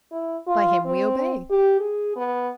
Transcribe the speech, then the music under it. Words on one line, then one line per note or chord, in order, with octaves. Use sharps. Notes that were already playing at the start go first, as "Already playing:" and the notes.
"By him we obey."
E4
F4
C4
G4
G#4
B3